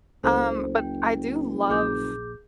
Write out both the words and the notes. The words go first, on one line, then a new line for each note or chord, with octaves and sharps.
Um, but I do love
F#1 C#2 A4 C5
G5
A#1 G#4 D6 G6